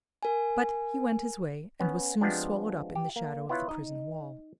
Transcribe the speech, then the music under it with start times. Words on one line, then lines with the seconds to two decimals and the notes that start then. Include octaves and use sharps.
But, he went his way, and was soon swallowed up in the shadow of the prison wall.
0.23 A#4 G#5
1.80 B3 C#4
2.21 F3 G#3 B3 C4 D4 G4
2.95 G4
3.16 A#3
3.49 B3 E4 F4 C#5 F#5
3.69 D#4 D#5